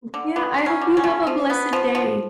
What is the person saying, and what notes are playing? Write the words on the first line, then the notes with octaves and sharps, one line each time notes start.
M yeah, I hope you have a blessed day.
D3
D3 B3
F#3
C#4
D3
C#4
A3
F3
B3
F3
F3